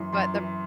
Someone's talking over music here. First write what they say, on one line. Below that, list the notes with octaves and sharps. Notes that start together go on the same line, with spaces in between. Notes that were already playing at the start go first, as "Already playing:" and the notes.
but the
Already playing: F#2 E3 C6
F#2 C6
E3